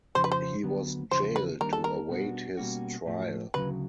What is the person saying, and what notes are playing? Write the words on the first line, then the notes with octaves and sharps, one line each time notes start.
He was jailed to await his trial.
F2 C#3 F3 C5
B4
C5
D2 D3 F#3 B3
E2 C#3 F3 C5
B4
D#3 G3 A#3 D4 A#4
A4
A#4
B2 G3 B3 D4 F#4
B2 G3 A#3 C#4 F#4
A2 F3 A3
D2 C#3 F#3 B4